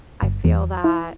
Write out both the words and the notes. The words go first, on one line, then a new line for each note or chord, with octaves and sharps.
I feel that.
G1
E2
E4